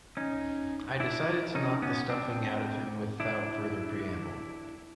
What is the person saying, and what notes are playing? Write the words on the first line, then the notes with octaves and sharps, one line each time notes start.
I decided to knock the stuffing out of him without further preamble.
C#4 D#4
D4 E4
C#4 D#4
B3 C#4
C4 D4
D4 E4